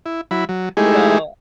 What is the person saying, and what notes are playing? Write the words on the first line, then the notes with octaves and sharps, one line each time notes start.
you know,
E4
F#3 E4 B5
F#3
G#3 A3 D#4 E4 G4 G#4